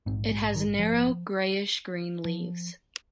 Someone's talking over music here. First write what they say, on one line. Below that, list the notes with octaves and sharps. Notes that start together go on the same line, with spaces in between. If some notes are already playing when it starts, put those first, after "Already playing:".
It has narrow, greyish green leaves.
A#1 G#2 C4
G#3
D#3
F3
F3